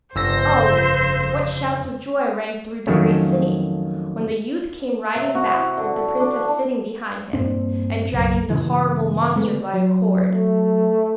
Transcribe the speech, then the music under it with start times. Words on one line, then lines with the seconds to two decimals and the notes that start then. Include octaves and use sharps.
Oh! what shouts of joy rang through the great city, when the youth came riding back with the princess sitting behind him, and dragging the horrible monster by a cord.
0.16 G1 F2 C#3 C5 E6 A#6
2.87 F2 D#3 F#3 A3 C#4
5.16 C3
5.35 F#4
5.54 E4
5.77 D3
6.20 D4
7.33 G2 A#2 C4 D4
8.13 F#1 B1
8.50 G2 A#2 C#3 E3
9.36 D3 G#3 A3 B3
9.74 F#3
10.34 A3